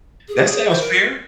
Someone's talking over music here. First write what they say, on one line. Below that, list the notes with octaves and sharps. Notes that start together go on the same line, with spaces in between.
That sounds fair.
G#4
G4
G#4
C5
A#4